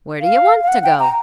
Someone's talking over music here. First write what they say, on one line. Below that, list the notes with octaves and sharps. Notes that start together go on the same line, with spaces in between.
"Where do you want to go?"
F5
F5
F#5
G5
A#5